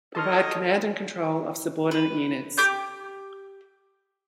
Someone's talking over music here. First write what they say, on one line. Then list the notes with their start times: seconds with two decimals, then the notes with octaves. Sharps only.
Provide command and control of subordinate units.
0.15 D#4 A4 C#5 D#5 A5 C6 F6
1.91 B4
2.58 G4 D6 G6